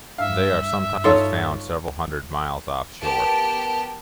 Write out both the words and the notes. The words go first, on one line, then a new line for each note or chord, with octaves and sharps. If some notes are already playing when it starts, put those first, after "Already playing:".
They are sometimes found several hundred miles off-shore.
G2 E5 F5
D#4 F4 A4 C#5 C6
B3 G4 A#4 G5 A5 D7